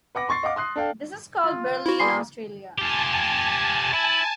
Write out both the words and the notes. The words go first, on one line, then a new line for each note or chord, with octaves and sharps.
This is called Berley in Australia.
B4 F#5 D6 A#6
C6 C#6 A6 C7
D#5 F5 F#5 D6
C6 D#6 F#6 C7
D4 A4 F5 G5
F4
E4 F#4
G3 G#4 B4 C6
F4 G4 G#5 A5
E4